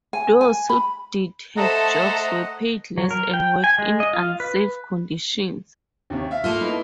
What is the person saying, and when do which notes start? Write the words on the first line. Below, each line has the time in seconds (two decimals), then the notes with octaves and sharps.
Those who did have jobs were paid less and worked in unsafe conditions.
0.13 G#5
0.41 G#5
0.69 B5
1.57 A3 A4 C5 D#5 F#5 A#5
2.98 F#3
3.11 A#4
3.34 G5
3.64 G#5
3.79 G#3
4.00 D#5
4.13 F4
4.40 B4
6.10 D#2 C3 C#4
6.31 E5 F5
6.44 A3 A#3 F4 F6
6.61 B3 D#4 E4